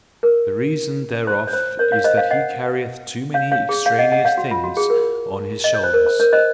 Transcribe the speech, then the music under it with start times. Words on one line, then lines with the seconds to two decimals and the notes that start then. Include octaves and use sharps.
The reason thereof is that he carrieth too many extraneous things on his shoulders.
0.23 A#4
1.27 C5
1.47 C#5
1.53 C5
1.79 A#4 C#5
1.92 C#5 F5
2.04 C5 D#5
2.17 C#5 F5
2.31 D#5 F#5
3.34 C#5 F5
3.52 C#5 F5
3.69 G#4
3.86 C#5 F5
3.99 D#5 F#5
4.12 D#5 F#5
4.25 C#5 F5
4.38 F#4
4.51 F4
4.64 F#4
4.77 G#4
4.90 A#4
5.64 D#5
5.74 C#5
5.83 C5
5.93 A#4
6.06 C5
6.20 A#4 C#5
6.33 C5 D#5